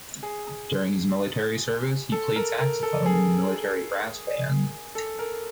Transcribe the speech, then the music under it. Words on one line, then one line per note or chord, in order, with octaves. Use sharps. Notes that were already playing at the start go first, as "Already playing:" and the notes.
During his military service, he played saxophone in the military brass band.
G#4
A4
A#4
A#4
A4
G#4
A4
A#4